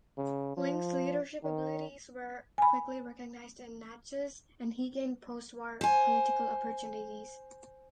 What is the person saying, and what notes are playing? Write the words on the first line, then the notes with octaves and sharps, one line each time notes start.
Lynch's leadership abilities were quickly recognized in Natchez, and he gained post-war political opportunities.
C#3
F3
D#3
G#5 B5
C5 G#5